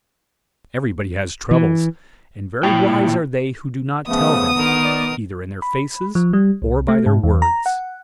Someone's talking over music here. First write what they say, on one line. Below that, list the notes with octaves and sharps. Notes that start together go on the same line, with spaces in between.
Everybody has troubles; and very wise are they who do not tell them, either in their faces or by their words.
E3
A#2 E4 G5
C#3 F3 A3 B3 D#6
D3 D#3 A#4
D5
B5
F3
G3
C2
A3
G#2
E2
A#5
F#5